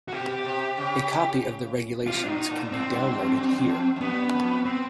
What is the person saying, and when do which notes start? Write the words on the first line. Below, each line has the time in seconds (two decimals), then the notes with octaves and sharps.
A copy of the regulations can be downloaded here.
0.08 F#4
0.12 B2 G4
0.45 C3
0.77 C#3
2.07 B2 F4
2.23 D4
2.28 A#2 D#4
2.50 A2
2.72 A2 C4
2.88 G#2
2.93 G2
3.14 F2
3.37 F#2
3.52 F#2
3.64 E2
3.69 F2
3.96 F2
4.01 F#2 B3
4.33 F2
4.65 C4